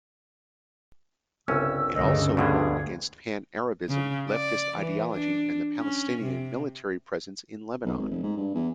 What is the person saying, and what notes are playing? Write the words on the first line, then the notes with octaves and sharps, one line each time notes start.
It also warned against pan-Arabism, leftist ideology and the Palestinian military presence in Lebanon.
G1 C2 C#3 C#4 E6
D2 G2 C#3 D#5 E6
D2 G2 B2 D3 G#4
C#3
D5
E3
D4
C#4
C3
B1
G#1
F1
G#2
G2
E2